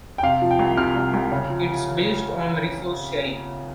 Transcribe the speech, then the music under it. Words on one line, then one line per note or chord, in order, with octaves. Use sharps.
It’s based on resource sharing.
G5
C3 F5
F3
G5
C2
C3 F6
C2
C2
C#3
F3